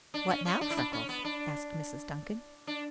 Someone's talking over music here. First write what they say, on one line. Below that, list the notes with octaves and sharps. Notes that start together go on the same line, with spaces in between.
"What now, Freckles?" asked Mrs. Duncan.
D4
C#4
C#4
D4
E4
D4
C#4
B3
D4
D4